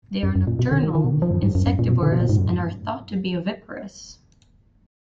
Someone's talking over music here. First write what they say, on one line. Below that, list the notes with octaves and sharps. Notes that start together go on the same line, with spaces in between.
They are nocturnal, insectivorous and are thought to be oviparous.
F#2
F#2
A#2
B2
D3
D#3
D#3
B2
D3
F3
F#2
G#2
F#2
F#2
A#2
B2
D3
B2
A#2
G#2
F#2